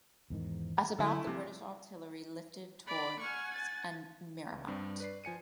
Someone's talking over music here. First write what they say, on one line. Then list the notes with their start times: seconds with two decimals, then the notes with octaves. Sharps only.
At about the British artillery lifted towards and Miraumont.
0.30 E2 G#2 D#3
0.99 D3 F#3 A3 E4 A4
1.27 C3 F3
2.87 D5 B5 D6
3.20 F#5 G#5 C#6 F6
3.53 A6
4.52 C#2
4.68 G2 G3 C4 D4
5.00 B4 D5 C7
5.24 F3 G#5 C#7 D#7